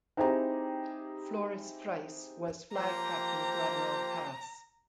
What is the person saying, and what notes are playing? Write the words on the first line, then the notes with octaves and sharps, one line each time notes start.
Floris Friess was flag captain to admiral Kaas.
C4 D#4 E4 G4 G#4 A#5
F3 A#3 G4 C5 G5 A#5 C6